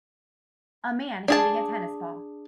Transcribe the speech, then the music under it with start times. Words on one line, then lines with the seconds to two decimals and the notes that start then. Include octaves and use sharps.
A man hitting a tennis ball.
1.28 D4 G#4 A5